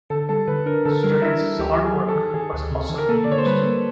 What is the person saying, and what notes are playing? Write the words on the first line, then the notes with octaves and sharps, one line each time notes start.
Students' artwork was also used.
D3 A4
G3 A4
D3 B4
D4 A#4
D3 A4
G3 A#4
D4 E4
G3
D2 G4
F#3
G#4
D#3
A4
D#3
D#3 G#4
D2
C3
D#3
A#4
A#3 A4
D5
D3 C#5
C5
G3 B4
A#3